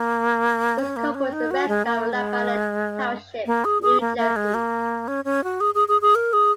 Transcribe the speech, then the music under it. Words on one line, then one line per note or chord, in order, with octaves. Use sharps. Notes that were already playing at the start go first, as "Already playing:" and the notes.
Piscopo is a resident of Lebanon Township, New Jersey.
Already playing: A#3
C#4
A#3
C#4
D#4
F#4
G#3
A#3
G#3
A#3
G#4
G#4
A#3
A#3
G#3
A#3
C#4
C#4
F#4
G#4
G#4
G#4
G#4
A#4
G#4